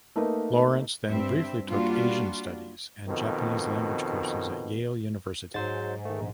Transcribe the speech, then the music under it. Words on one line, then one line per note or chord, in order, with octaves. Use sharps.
Lawrence then briefly took Asian studies and Japanese language courses at Yale University.
A3 A#3 D#4 A#4 B4 D#5
G2 C4 E5
G3 A#3 D4 F4 F#4
F2 B2 D#3
G#2 F#3 C5 A6
D#3 A3
A#1